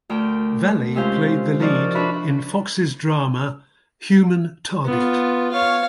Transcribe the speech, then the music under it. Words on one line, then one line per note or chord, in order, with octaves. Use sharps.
Valley played the lead in Fox's drama "Human Target".
D2 A#4 G5
C3 G#3 C#4 F4 C5 F5
F3 D#4 F#4 A#4 D5 D#5
D4 F4 F#4 B4 E5 B5
B3 F4
C#5 F5